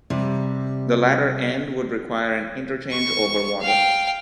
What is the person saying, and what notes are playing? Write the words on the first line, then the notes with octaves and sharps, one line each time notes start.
The latter end would require an interchange over water.
C3 G3
C#6
F5 G5